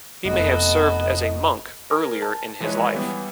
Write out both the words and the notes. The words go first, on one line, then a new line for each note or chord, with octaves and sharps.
He may have served as a monk earlier in his life.
F1 B3 F#4 A4 D#5
A#4 G#5
A5
E3 F3 G#3 E4 B4 C#5
E3 G3 B3